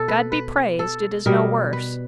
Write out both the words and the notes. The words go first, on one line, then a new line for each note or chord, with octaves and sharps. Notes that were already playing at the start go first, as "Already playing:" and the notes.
'God be praised it is no worse!
Already playing: B2 A4
B4
B4
A4
B2 G3 A#4
B4